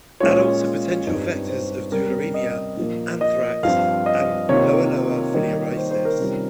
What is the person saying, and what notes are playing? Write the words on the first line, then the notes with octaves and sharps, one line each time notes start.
Adults are potential vectors of tularemia, anthrax and loa loa filariasis.
A#2 G#3 C#4 F4 C#5
G2 G3 C4 D#4
C5
C3 G3 C#4 A#4
D#5
A#2 F3 A#3
D#5
G2 F3 C4 F5
D#5
C3 D#3 A#3 F4 C#5
D#3 G3 A#3 D#4
C5
C5
A#4
C3 D#3 G3 C#4 F4